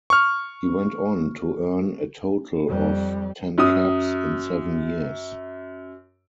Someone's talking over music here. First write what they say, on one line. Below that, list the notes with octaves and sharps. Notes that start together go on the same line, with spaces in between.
He went on to earn a total of ten caps, in seven years.
C#6 F6
F2 G3
F#2 D#6